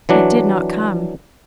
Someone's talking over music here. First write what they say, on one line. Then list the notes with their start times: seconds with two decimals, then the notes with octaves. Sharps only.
It did not come.
0.09 E3 F#3 D4